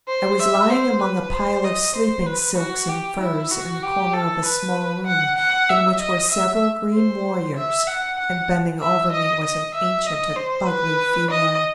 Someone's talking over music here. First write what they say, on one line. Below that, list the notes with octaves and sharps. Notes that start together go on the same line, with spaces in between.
I was lying among a pile of sleeping silks and furs in the corner of a small room in which were several green warriors, and bending over me was an ancient and ugly female.
C5
E5
C5
B4
C5
D#5
C5
B4
F#4
G4
E4
F#4
G4
A4
B4
F#5
F#5
E5
D#5
E5
C5
E5
F#5
F#5
E5
D#5
D#5
E5
D#5
C5
B4
D#5